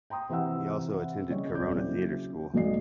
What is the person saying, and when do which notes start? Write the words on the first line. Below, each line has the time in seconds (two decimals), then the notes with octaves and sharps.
He also attended Corona Theatre School.
0.10 G5 A#5 C6 D#6
0.29 C3 E3 G4 E5 F#5 E6
1.29 C#3 G3 C#5 D#5
1.54 D#1 C4 D5 D6 G6
1.73 C#3 F#3 E4
2.54 B1 G#2 D5 D#5 C7